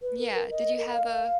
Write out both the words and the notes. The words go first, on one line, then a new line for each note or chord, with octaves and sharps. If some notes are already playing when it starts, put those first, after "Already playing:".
yeah. Did you have a
B4
A#4
A#4
D#5
A#4
F5
F5
F5